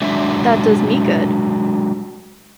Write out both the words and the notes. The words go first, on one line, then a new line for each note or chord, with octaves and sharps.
That does me good!
F#3 G#3 D4 E5